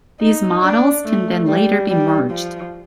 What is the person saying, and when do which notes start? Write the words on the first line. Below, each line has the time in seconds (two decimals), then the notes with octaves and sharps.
These models can then later be merged.
0.20 D#4
0.62 D4
1.05 A3
1.48 G3
1.89 G3
2.31 F3